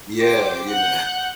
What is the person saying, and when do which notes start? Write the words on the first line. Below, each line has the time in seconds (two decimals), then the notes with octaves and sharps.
yeah, you know.
0.18 G4 C5 D6
0.68 F#5 F#6 G6